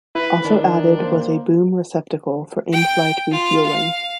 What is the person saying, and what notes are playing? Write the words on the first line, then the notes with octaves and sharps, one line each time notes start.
Also added was a boom receptacle for inflight refueling.
E4 B4
D#3 D4 D#4
A#3 C5
G5
F4
F5